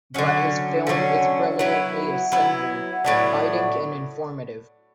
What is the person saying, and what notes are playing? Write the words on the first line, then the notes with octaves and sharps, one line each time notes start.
But his film is brilliantly assembled, biting and informative.
D3 F#3 C#4
D3 F#3 C#4
F#3 B3 E4
F#3 B3 E4
A2 F#3 B3 D4